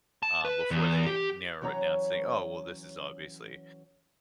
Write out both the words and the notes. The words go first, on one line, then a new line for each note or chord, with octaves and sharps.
uh, before they narrow it down, saying, "Oh well, this is obviously,
A5
B4
E2
G4
E3 F#3 C#4 C#5 A#5